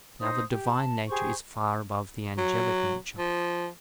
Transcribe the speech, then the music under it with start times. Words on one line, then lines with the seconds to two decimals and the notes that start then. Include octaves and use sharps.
Now the Divine nature is far above the angelic nature.
0.19 D#4 C5 D#6
0.50 G4
0.68 A5
1.09 G4 G#4 C5 C#6
2.38 F#3
3.18 F3